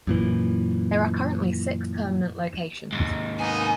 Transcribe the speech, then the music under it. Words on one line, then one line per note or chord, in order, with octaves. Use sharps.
There are currently six permanent locations.
F#2 A#2 E3
D#2 G#2
A#3 B3 D#4 G#5